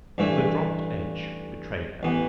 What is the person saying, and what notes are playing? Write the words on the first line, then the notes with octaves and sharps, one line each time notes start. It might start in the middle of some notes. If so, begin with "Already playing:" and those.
The dropped "h" betrayed her.
A1 G2 E3 A3 E4
A1 E3 B3